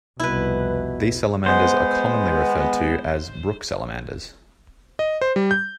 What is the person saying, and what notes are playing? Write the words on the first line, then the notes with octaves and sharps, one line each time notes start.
These salamanders are commonly referred to as brook salamanders.
C2 F2 B2 E4 B4
G#3 B3 C5
D#5
C5
G3
G6